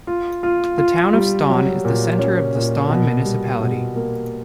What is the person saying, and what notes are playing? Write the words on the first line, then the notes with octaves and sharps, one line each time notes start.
The town of Ston is the center of the Ston municipality.
F4
F4
F4
G3
F#3
A#2
C#4
A#2
B2
G3
B2
A#3